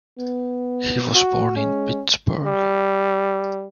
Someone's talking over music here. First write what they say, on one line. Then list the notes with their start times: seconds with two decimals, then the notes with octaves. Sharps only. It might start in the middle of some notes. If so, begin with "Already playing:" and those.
He was born in Pittsburgh.
0.19 B3
1.15 F#4
1.56 G#3 C#4
2.46 G3